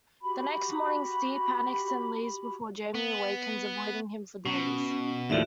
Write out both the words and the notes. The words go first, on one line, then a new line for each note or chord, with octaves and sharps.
The next morning, Ste panics and leaves before Jamie awakens, avoiding him for days.
F#4 G4 B5
B3
B2 C#4
D#2 A2 F3 F#4 D5 E5